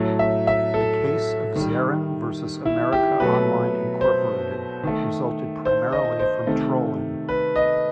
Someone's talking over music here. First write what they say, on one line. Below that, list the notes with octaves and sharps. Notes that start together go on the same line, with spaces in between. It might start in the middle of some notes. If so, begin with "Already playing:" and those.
The case of "Zeran versus America Online, Incorporated" resulted primarily from trolling.
Already playing: A2 F#3 A3
E5
E5
A4
D#3 G3
E4
G4
B2 F#3 A3 B4
C5
D#3 A3
C5
D#5
C5
C3 D#3 A3
B4
D#5